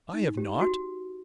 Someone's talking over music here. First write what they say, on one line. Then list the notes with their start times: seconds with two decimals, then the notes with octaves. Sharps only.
"I have not."
0.14 D#4
0.37 G4
0.61 F#4